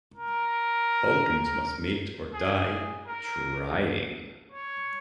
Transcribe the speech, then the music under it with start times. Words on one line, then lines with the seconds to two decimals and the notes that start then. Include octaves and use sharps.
Vulcans must mate or die "trying".
0.16 A#4
2.34 G#4
3.07 A#4
4.52 C#5